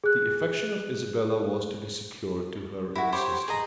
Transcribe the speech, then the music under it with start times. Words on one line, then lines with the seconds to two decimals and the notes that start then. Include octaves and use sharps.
The affection of Isabella was to be secured to her in a sister.
0.04 G#4 F#6
2.95 E4 F#4
3.12 G4 C5 C#5 B5
3.48 G#4 D#5 A#5